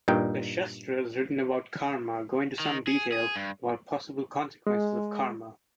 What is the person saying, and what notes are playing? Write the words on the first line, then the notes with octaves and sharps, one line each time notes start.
The shastras written about karma go into some detail about possible consequences of karma.
G2 A#2 D#4 G5
D#3
G#4
G#4
G2
G#3